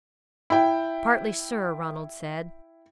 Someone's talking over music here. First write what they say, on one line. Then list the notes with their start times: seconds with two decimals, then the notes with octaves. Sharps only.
"Partly, sir," Ronald said.
0.50 E4 G5